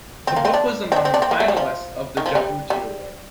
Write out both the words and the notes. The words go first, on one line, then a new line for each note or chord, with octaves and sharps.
The book was among the finalists of the Jabuti Award.
C4
A#3
C4
D4
C4
D4
C4
D4
C4
A#3
A3
G3
F3
D#3
F3
G3
G3